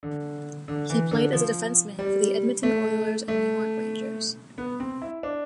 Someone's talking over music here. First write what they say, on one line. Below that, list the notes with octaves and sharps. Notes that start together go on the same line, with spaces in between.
He played as a defenceman for the Edmonton Oilers and New York Rangers.
D3
D3
E3
D3
F3
G3
A3
A3
B3
C4
E4
D4